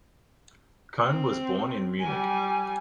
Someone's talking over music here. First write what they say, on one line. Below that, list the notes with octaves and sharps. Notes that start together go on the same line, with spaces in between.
Kohn was born in Munich.
C4
G3 G#5